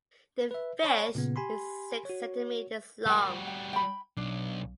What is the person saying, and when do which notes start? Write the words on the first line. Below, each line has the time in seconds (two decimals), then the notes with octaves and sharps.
The fish is six centimeters long.
0.51 B4 E5
0.83 C#5 D5 A5 B5 C#6
1.15 A#2 C#3 B3
1.36 G4 G#5 B5 C6
2.05 F#4 C#5
3.06 G3 F#4 A#4 G5
3.47 G5
3.73 G5 B5
4.17 B1 D4